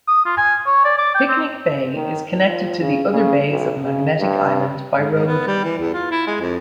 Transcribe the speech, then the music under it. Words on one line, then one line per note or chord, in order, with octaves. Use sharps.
Picnic Bay is connected to the other bays of Magnetic Island by road.
D#6
F4
G#5
C#5
D5
D6
G5
C4
D#3
F3
C#3
C#3
B1
C#3
G2
G#2
G#2
B3
G3
E3
E2
F4
E4
G#3
F2